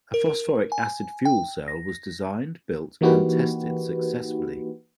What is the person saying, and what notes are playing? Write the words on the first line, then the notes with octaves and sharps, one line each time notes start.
A phosphoric acid fuel cell was designed, built, and tested successfully.
A#4
G#5
G5
A#6
E3 A#3 D#4 F#4 G4 B4